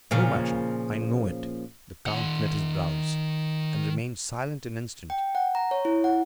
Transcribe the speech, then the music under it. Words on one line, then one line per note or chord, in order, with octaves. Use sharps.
"No matter; I know it." The count knit his brows, and remained silent an instant.
A#2 C#3 F3
D#3 F#5
G5
F#5
A#5
C#5
E4
F#5